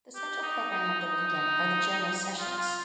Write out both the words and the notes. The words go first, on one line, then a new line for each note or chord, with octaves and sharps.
The central program of the weekend are the general sessions.
G4
D#4
D#4
D#4
D#4
F4
F4